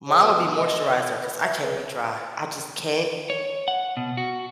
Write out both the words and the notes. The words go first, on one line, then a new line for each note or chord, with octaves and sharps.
Mine would be moisturizer 'cause I can't be dry. I just can't
C#3
B2
D#5
B4
E5
C#2
C#5
F#5
B2
F#4